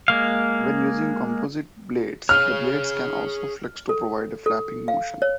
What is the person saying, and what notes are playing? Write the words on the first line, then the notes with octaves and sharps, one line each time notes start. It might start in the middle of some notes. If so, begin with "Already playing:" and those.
When using composite blades, the blades can also flex to provide a flapping motion.
G#3 A#3 F5
G#4 C#5 F6
A4
A4
F5
C#5